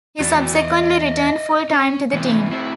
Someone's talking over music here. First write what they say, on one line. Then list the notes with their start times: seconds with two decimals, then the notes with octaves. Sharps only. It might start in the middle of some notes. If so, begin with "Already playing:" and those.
He subsequently returned full-time to the team.
0.20 E2 F#4 D5
0.56 D5 D#5
1.70 C#4
2.13 G#2 C3 E3
2.51 A2 C4 E4